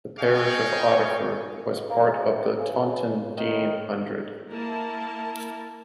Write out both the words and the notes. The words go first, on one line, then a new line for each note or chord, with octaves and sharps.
The parish of Otterford was part of the Taunton Deane Hundred.
D#5 F5 G5 G#5 C#6
C#2
A#3
G#3
A2
C#3
D#3
A#3 E4 A#4 A5